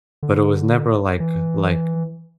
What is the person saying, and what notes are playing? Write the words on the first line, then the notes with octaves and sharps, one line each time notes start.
but it was never, like uh, like,
D3
E3